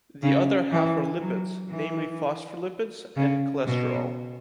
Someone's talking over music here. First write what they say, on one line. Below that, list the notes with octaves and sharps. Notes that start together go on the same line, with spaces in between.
The other half are lipids, namely phospholipids and cholesterol.
C#3
E3
F#3
E3
C#3
B2